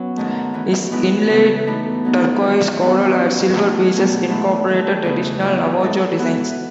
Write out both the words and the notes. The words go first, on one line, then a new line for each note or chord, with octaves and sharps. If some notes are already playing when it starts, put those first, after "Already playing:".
His inlaid turquoise, coral, and silver pieces incorporated traditional Navajo designs.
Already playing: F#3 B3 C#4
G#2 D#3 A3
E3 A3 C#4
A2 G#3 B3 E4
C#3 E3 B3 F#4 A4
A2 E3 A3 D#4
F#3 B3 D#4
E2 D#3 F#3
F#2 D#3 F#3 B3 E4
F#3 C#4 E4
F#3 A3 D#4 G#4
B2 F#3 A3
G#2 E3 A3 E4
D#3 A3 E4 A4
E2 C#3 E3
G#2 F#3 B3
A2 G#3 D#4 A4
E3 B3 F#4